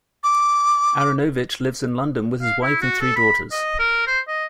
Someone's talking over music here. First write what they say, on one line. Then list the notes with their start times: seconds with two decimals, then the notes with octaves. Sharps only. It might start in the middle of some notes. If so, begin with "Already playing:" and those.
Aaronovitch lives in London with his wife and three daughters.
0.24 D6
2.42 F5
2.62 E4
2.81 F#4
3.01 A4
3.16 B5
3.52 D#5
3.79 A#4
4.07 C5
4.28 D#5